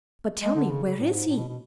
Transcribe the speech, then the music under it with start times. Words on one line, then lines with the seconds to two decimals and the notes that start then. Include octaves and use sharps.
But tell me where is he?
0.42 G#3
0.55 D3
0.70 C#3
0.84 C#3
0.99 A2
1.13 G#2
1.28 A2
1.37 B2
1.48 B2